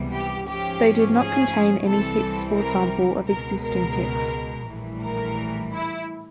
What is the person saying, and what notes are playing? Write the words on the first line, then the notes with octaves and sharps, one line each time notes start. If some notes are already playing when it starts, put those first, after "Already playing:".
They did not contain any hits or sample of existing hits.
Already playing: C#2 C3 E3 G3 B3
G4
G#2 F3 A3 C#4 G4
G#4
C2 C3 E3 G3 C4 A4
A#4
C#2 B2 G#3 A#4
A#4
A#1 A2 E3 G3
A#4
E4